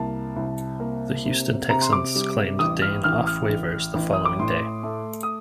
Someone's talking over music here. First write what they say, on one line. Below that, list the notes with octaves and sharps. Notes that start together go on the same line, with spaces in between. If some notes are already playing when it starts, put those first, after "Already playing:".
The Houston Texans claimed Dayne off waivers the following day.
Already playing: C2 A#3 A5
C2
A#3
C3
C3 A#5
C6
D6
G3
A1 D#6
F6
A1 F6
F6
A1
A1
D#6
D6
A2 C6
A3
D#6